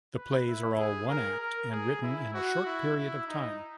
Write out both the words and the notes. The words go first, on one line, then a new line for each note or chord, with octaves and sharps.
The plays are all one-act, and written in a short period of time.
B4
E4
G#4
A#4
A#4
G#4
E4
F#4
E4
E4
D#4